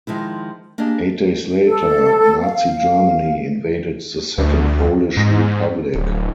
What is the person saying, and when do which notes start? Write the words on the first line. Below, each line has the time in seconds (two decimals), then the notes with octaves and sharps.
Eight days later, Nazi Germany invaded the Second Polish Republic.
0.07 D#3 F3 G#3 E4
0.78 A#3 D4 G4 G#4 D#5
1.65 A4
2.41 F5
4.38 D2
5.17 G#2
5.95 D1